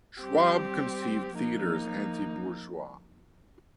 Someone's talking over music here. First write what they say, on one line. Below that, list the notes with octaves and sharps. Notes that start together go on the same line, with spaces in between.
Schwab conceived theater as anti-bourgeois.
G3 C4 G4
F3 A#3 D#4